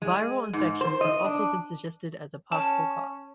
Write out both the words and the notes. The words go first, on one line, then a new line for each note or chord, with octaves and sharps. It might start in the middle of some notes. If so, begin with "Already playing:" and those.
Viral infections have also been suggested as a possible cause.
G#3
G#2
C5
D#5
D4
C#4 A5